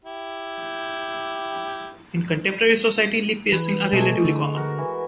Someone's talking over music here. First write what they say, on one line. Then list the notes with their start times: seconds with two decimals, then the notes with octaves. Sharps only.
In contemporary society, lip piercings are relatively common.
0.05 E4 G4
3.53 E3 B4
3.93 B2 G#3 A3
4.25 D3
4.56 F#4 A#4
4.78 E3